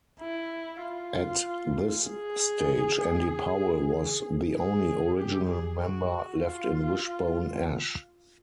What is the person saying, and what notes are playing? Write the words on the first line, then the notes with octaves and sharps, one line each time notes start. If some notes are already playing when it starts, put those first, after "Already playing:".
At this stage Andy Powell was the only original member left in Wishbone Ash.
E4
F4
G#4
G#4
G4
G#4
F#4
F4